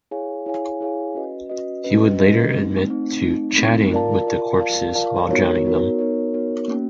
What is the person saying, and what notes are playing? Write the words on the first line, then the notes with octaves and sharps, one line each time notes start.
He would later admit to "chatting" with the corpses while drowning them.
E4 G#4 C#5 F5 G#5
E4 G#4 C#5 F5 G#5
E4 G#4 C#5 F5 G#5
C#4 F#4 B4 D#5
C#4 F#4 B4 D#5
C#4 F#4 B4 D#5
C#4 F#4 B4 D#5
A3 C4 D#4
A3 C4 D#4
A3 C4 D#4
A3 C4 D#4
F4 A#4 D5 F5 A5
F4 A#4 D5 F5 A5
F4 A#4 D5 F5 A5
F4 A#4 D5 F5 A5
B3 D#4 F#4 A#4 C#5
B3 D#4 F#4 A#4 C#5
B3 D#4 F#4 A#4 C#5
B3 D#4 F#4 A#4 C#5
A#3 C#4 F#4